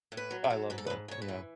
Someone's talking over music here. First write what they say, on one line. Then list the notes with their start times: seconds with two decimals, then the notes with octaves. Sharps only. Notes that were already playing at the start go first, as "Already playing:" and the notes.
I love that, yeah.
0.12 A2
0.17 B4
0.31 F#3
0.44 A4
0.50 F#3
0.70 G#2 B4
0.78 A4
0.87 B4
0.90 G#2
1.08 G#2 C#5
1.22 B4
1.28 E3